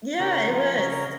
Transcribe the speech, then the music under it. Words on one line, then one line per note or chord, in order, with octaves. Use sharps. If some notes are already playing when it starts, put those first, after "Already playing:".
Yeah, it was.
C#3 A#4
F3
C#3 A#4
A#4